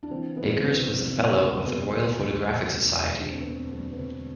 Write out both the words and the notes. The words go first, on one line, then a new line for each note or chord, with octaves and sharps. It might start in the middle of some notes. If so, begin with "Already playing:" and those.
Acres was a Fellow of the Royal Photographic Society.
D4
E3 C4
E3 B3
C2 C4
C3
C3
D2
D2 B3
F#3
D2
E1
D2
E1
D3 D4
C4
D3 B3
C4
F#3 B3
B3
D3 C4